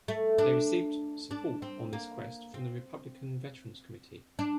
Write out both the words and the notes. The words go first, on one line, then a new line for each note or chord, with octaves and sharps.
They received support on this quest from the Republican Veterans Committee.
A3
D4
D4
C4
A#3
C4
D4